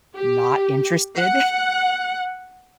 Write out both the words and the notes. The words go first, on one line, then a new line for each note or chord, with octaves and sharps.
not interested.
G4
F#5